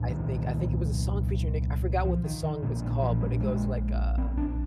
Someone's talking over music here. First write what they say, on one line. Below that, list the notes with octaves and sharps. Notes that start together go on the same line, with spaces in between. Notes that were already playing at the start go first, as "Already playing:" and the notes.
I think. I think it was a song featuring Nick I forgot what the song was called, but it goes like, uh
Already playing: C2 A#2
D#3
F3
D#3
D#3
A#1 A#2 D3
D#3
F3
G3
G#3
C4
D4